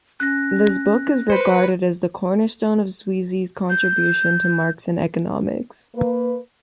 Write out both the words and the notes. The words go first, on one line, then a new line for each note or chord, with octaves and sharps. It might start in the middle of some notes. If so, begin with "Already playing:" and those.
This book is regarded as the cornerstone of Sweezy's contribution to Marxian economics.
C#4 F#6 A#6
B4 C5 C#7
G6
A#3 B4